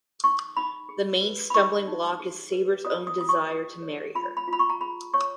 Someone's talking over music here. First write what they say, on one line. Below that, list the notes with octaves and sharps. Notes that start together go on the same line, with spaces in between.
The main stumbling block is Saber’s own desire to marry her.
D#4 C#6
D#4 B5
G#4
B4
B5
D#4 C#6
D#4
G#4
B4
F4 D#6
D#6
F4 D#6
C#6
G#4
C#5
F4 B5
B5
F4
B5
C#6
A#5
G#4 B5
C#5 C#6